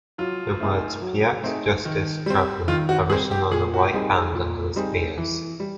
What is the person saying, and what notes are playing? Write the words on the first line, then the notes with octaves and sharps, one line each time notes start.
The words "Paix, Justice, Travail" are written on a white band under the spears.
F#3 F4
A3 C4 D#4 G#4
F#3
A3 C4 D#4 G#4
D#3
G3 C4
D#3 F4
F#4
G3 C4 G#4
G4
A#2 G#4
F#4
G4
G3 C4 D#4 G#4
A#2
G3 C4 D#4 G#4
E3
G3